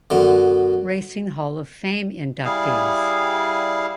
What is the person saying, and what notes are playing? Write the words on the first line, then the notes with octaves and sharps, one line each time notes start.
Racing Hall of Fame inductees.
F#2 B2 D3
G3 E4 G#4 F5